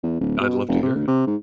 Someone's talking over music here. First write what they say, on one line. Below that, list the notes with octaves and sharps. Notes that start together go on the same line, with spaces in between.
I'd love to hear it.
E2
D1
B2
F1
C3
D2
C3
G#2